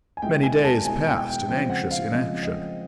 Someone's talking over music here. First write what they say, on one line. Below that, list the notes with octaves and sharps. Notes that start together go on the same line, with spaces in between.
Many days passed in anxious inaction.
G#5
B2 G#3 B3 E4 G5
G#5
A5
B2 G#3 B3 E4 G#5
G5
G5
C#3 F3 G#3 C4 G5
F#5
F5
C#3 F3 G#3 C4 D#5
D#5